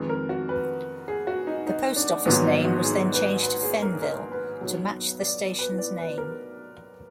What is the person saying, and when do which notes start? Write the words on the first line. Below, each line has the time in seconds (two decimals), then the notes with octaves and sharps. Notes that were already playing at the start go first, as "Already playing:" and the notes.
The post office name was then changed to "Fennville" to match the station's name.
Already playing: F2 D#3 G#3 B4
0.09 A#4
0.29 F#4
0.49 B4
1.08 G#4
1.27 F#4
1.47 D#4
1.67 D#4
1.96 D4
2.25 A#1 G#2 D#3 F#3 B3
2.45 D#4
2.65 F#4
2.84 G#4
3.14 B4
3.43 B4
3.63 G#4
3.82 A#4
4.02 A#4
4.32 B4
4.61 B1 B2 F#3
5.19 D5
5.59 B4
5.78 D5
5.98 B4
6.18 A#4